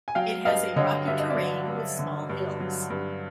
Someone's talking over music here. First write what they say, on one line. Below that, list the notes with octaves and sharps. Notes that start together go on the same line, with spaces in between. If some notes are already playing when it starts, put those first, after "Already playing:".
It has a rocky terrain with small hills.
G#5
F#3 F5 G5
G2 D#5 F5
D3 C#5 D#5
G2 E5
D#5
D5 E5
F#3
G2
D3
G2
F#3
G2